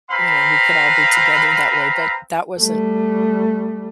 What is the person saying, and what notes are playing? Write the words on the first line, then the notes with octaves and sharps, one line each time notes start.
you know, we could all be together that way, but that wasn't
C4 B4 F5 A#5 B5
G3 A3